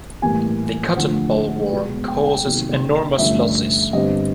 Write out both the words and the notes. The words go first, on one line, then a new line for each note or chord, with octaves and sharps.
The cotton bollworm causes enormous losses.
A2 E3 G3 A#3 G#5
D3 F3 A3 D4 F#5
B2 G#3 B3
G5
G#5
G5
C3 D#3 F#3 A#3
G2 D3 F3 A3 C#4 E5
G2 D3 G3 C4 D#5